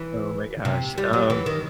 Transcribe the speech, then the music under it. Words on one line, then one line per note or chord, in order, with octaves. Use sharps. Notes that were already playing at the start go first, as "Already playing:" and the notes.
Oh my gosh, um
Already playing: E3
C3
G3
F#3
E3
D#3